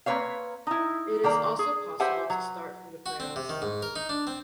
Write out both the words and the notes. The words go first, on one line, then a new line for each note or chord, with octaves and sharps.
It is also possible to start from the playoffs.
A#3 C4 B4 C#5 F5
D#4 E4
D#3 A#3 D5 A#5
G#4
G4 B4 C5 E5 F#5 G#5
F#3
F#4
C4
C3
D#3
G#2
A#4
D#4
D4
C4